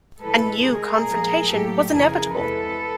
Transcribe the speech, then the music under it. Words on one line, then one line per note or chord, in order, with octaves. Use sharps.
A new confrontation was inevitable.
A2 E3 G#3 A4 B4
C3 D#3 G#3 G#4 A#4
A#2 F3 G#3
A2 F#3 A#3 G4 A4
F2 C#3 E3 G#3 G#4 A#4
E2 C3 E3 G#3 A4 B4